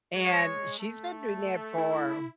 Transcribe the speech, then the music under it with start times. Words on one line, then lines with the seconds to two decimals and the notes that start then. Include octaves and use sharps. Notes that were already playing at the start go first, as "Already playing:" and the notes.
And she's been doing that for
0.15 G#3 C#5
0.78 A3 A4
1.78 E4